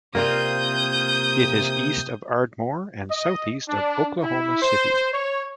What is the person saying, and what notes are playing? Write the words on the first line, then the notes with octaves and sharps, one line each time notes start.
It is east of Ardmore and southeast of Oklahoma City.
C3 A#3 C4 F4 A#4 D5 D#6 G6
D#5
D4
E4
C5
C#5